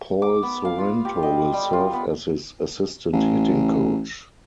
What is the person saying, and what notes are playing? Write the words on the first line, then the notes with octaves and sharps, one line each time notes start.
Paul Sorrento will serve as his assistant hitting coach.
D6
B3
F5
F4
G4
D#5
G3
F4
B3
A1